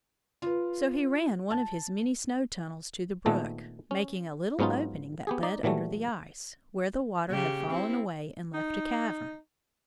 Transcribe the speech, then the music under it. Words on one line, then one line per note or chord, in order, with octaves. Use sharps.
So he ran one of his many snow tunnels to the brook, making a little opening that led under the ice, where the water had fallen away and left a cavern.
F4 B4
A5
A#2 D#3 A3 B3 G#4 A4
C#4
G#2 F#3 B3 C#4 D#4 F4
B3 G4 G#4
D#4 D5
A#2 E3 F#3 G3 A3
C#3 G4
C4 E4
D#4